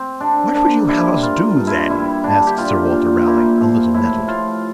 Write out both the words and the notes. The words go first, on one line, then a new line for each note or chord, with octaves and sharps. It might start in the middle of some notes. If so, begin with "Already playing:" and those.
"What would you have us do, then?" asked Sir Walter Raleigh, a little nettled.
Already playing: C4
C3 D4
A#3 D4
G3 E4
A#3 F4
G2
E4
G3 E4
D3 D4
G4
A#2 F4
A#2
A#3 E4
F3
A2 E4
A2 F4